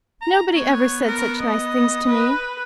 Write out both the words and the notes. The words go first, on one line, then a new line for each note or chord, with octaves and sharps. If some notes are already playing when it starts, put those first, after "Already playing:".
Nobody ever said such nice things to me.
A#5
B3 C#5
A#4
D#5
B4